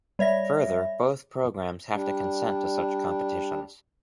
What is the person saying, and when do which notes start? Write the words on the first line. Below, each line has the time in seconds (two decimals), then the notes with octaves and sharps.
Further, both programs have to consent to such competitions.
0.19 G3 C#5 E5 A#6
1.93 G3 D4